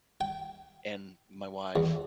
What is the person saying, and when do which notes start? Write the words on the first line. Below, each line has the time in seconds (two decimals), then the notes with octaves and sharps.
and my wife.
0.21 G5
1.76 E2